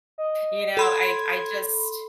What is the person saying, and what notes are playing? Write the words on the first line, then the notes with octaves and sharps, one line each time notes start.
You know, I'd I just
D#5
A4 B5 C6 G#6